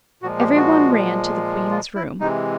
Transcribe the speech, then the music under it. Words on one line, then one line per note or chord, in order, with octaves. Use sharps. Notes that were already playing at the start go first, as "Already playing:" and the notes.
Every one ran to the queen's room.
A#2 F3 G#3 F#4
G4
F#4
F4
E4
C3 E3 G#3 D#4